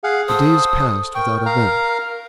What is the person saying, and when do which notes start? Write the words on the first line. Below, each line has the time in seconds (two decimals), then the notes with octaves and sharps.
The days passed without event.
0.04 G#4 F5 F#5
0.28 A4 C5 D#6
1.15 A#4 G5 C#6
1.46 F5 A#5 F6